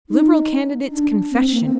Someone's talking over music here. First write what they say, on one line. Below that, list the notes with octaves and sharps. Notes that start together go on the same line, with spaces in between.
Liberal Candidate's Confession.
D#4
D4
C4
A#3
C4